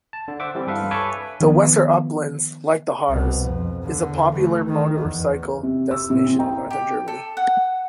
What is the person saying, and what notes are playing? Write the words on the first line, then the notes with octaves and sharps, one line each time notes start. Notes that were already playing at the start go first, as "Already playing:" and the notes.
The Weser Uplands, like the Harz, is a popular motorcycle destination in northern Germany.
A5
D3
C5 E5 F#5 D6
E3 G3 C4
G2 A4 B4 E5 F5
A4 B4 C#5 E5 G#5 D6
D#3 F3 B3
C2 B2
F2
E2 D3
E3 A3
D#3
E2
C3
E6
A2 C3
C4
D#5 G5 A#5
G4
A4
F#5